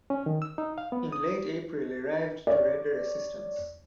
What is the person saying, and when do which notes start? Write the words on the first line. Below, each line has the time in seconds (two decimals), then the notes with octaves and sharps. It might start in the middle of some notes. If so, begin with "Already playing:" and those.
In late April arrived to render assistance.
0.10 C#4
0.26 D#3
0.42 E6
0.58 D#4
0.78 F5
0.92 B3
1.12 D#6
2.47 C#5 D5